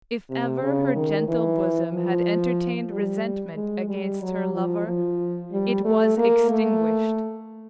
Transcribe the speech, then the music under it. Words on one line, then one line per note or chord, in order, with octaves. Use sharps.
If ever her gentle bosom had entertained resentment against her lover, it was extinguished.
C3
C#3
D#3
E3
F3
G3
G#3
G3
F#3
F3
F3
G3
A3
A#3
A3